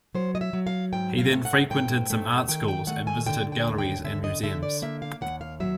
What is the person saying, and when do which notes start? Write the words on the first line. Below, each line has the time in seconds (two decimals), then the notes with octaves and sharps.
He then frequented some art schools, and visited galleries and museums.
0.14 F#3 C5
0.35 D#5
0.41 E5
0.53 F#3
0.67 F5
0.93 G#2 G5
1.18 F5
1.32 A3
1.45 F#5
1.71 G#2 G5
2.10 A3
2.48 D#3 G5
2.68 G5
2.87 A3 F#5
3.07 G#5
3.26 D3 G5
3.52 G5
3.65 D#2
3.78 G5
4.04 D3 E5
4.24 D#5
4.43 D3 E5
4.63 D5
4.82 A#3 E5
5.02 F5
5.21 D#2 F#5
5.41 F5
5.60 F#3 E5